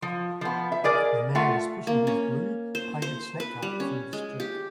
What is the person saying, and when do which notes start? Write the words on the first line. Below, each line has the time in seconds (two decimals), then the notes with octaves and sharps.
A man is pushing his blue painted snack cart through the street.
0.02 F3
0.41 F3 B3
0.72 E5
0.84 G#4 A#4 D5 G#5
1.35 A3 F4 E5 F#5
1.87 A#3
2.07 C#4
2.75 C5
3.02 C5
3.40 B4
3.62 G3
3.80 C#4
4.13 G#3
4.40 G4